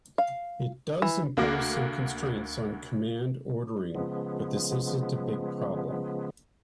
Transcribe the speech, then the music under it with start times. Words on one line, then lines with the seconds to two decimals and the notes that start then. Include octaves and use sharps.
It does impose some constraints on command ordering, but this isn't a big problem.
0.18 F5
1.02 E3
1.37 D2 A#3 F#4 F5 D6 A#6
3.95 C#3 F3 G#3 B3